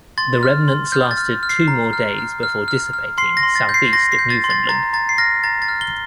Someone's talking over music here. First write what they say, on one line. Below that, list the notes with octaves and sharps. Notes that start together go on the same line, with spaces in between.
The remnants lasted two more days before dissipating southeast of Newfoundland.
C6 A6
F6
C6
F6 G6
A6
F6
F6
C7
A#5
F6
F6
F6
F6
F6
C6 C7
A#6
C6
A6
G6
C7
C6 A#6
C7
G6
A6
C6
A6
A#5 A6
A#5 A6
C7
F6 A#6
A#5 A6
A6
F6
G7